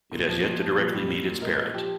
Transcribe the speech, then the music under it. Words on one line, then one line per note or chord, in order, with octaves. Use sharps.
It has yet to directly meet its parent.
A#2
F3
A#2
F3
A#2
G3
A#2
A#2
G#3 A#4
A#2
F3 G4